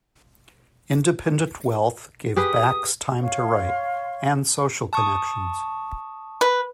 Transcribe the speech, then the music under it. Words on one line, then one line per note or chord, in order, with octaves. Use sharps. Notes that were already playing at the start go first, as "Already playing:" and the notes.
Independent wealth gave Bax time to write, and social connections.
G4 G#4 B4 D#6
C#5 F5 C6 C#6
A5 C#6 D#6
B4